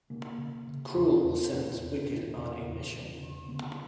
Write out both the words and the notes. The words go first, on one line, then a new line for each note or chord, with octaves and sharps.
Kruel sends Wikked on a mission.
C#3 A#3
C#3
C#3
E2
E2
E2
E2
E2
C#3
E2
C#3
C#3
D3 B3